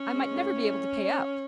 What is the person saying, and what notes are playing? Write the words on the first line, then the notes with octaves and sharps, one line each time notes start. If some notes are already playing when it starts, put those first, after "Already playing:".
"I might never be able to pay up!"
Already playing: C#4
G#3
A2
A2